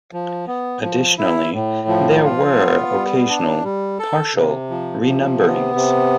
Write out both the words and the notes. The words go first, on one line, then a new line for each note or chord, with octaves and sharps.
Additionally, there were occasional partial renumberings.
F3
B3
F3
E4
A2
F3
F4
B3
G3
D4
G3
A4
C3
F3
C3
B3
C3